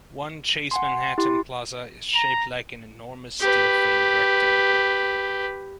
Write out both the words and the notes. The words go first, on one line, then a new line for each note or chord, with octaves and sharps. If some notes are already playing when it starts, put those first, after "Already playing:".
One Chase Manhattan Plaza is shaped like "an enormous steel-framed rectangle".
F#5 G#5 C6
E4 G4 C6
A#5
G4 B4